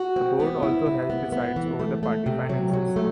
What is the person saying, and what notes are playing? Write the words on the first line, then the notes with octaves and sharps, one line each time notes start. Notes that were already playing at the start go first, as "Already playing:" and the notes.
The board also has decides over the party finances.
Already playing: F#4
C4
B3
E4
C3
B3
B3
E3
A3
A3
C3
F#3
F#3
A3